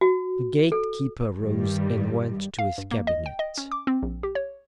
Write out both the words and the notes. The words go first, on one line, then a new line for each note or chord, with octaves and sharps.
The gate-keeper rose and went to his cabinet.
F#4
A4
G2 D#3 G3
F5
G2
A#3
D#5
G5
D#5
C#4
D6
C4
A#1
G4
C#5